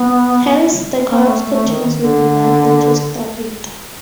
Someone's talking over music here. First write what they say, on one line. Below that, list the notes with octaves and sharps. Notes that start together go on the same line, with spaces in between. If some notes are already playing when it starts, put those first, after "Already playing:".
Hence, the collapse continues with nothing to stop it.
Already playing: B3
A#3
A3
A3
A3
D#3
D3